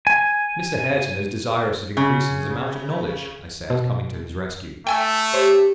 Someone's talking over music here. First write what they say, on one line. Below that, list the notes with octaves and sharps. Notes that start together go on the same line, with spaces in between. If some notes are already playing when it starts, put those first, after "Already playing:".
'Mr. Hareton is desirous of increasing his amount of knowledge,' I said, coming to his rescue.
G#5
C#3
B2
A3 G5 G#5 E6
G4 C5 C#5